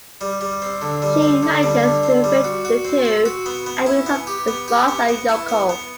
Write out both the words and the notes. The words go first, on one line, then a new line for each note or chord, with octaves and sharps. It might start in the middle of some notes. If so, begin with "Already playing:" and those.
She manages to evade the two and meets up with Ross and Yoko.
G3
G3
C4
D3
G3
C4
D3
G3
D3
C4
G3
F#4
F#4
C4
C4
F#4
B3
B3
E4
B3
G4
B3
G4
B3
B3
E4
B3
B3